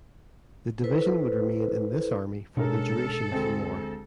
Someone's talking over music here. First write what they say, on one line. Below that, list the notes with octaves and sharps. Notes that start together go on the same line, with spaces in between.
The division would remain in this Army for the duration of the war.
E4 A4 B4 C5
B2 G#3 C#4 D4 A4 A#4
D2 G#3 C4